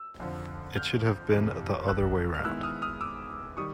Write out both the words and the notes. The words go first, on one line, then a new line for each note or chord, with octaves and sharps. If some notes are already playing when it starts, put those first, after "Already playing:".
It should have been the other way round.
Already playing: E6
F2 D3 F3
F6 G6
F2 C3 E3
E6 F#6
F6
D#3 G#3 B3 E4 E6 F#6
D#6 F6
D#6 F6
D6 E6
D#3 G3 C#6 D#6